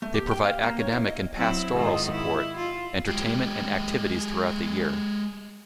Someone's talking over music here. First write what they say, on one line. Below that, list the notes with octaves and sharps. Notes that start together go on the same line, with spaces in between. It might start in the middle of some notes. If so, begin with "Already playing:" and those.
They provide academic and pastoral support, entertainment and activities throughout the year.
A3
G4
G5
F5
A#3
C#5
E4
D#5
F#3 C4 E4
G#2 D#3 F4
E4
F4
G#3 G4